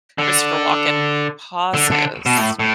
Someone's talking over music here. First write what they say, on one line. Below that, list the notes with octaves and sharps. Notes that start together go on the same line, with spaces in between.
Christopher Walken pauses,
D3
D3
D3
B2
A2
A2